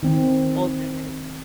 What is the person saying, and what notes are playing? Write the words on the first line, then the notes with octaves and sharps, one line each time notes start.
old memories.
D#3 C4